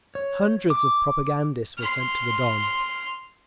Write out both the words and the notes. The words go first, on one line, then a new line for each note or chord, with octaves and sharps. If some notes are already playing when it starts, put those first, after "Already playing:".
Hundreds of propagandists were sent to the Don.
C#5
D6
C6 F6